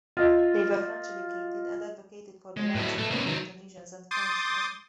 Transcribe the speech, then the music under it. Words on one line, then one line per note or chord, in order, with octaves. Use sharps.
They were French-educated and advocated for the rights of Tunisians and Frenchmen.
F4 D#5
G#3
A2 F#3 B4 D#5
A3
A#3 B3 C#4
D#3 F#3
C6 D6 D#6 G6 A6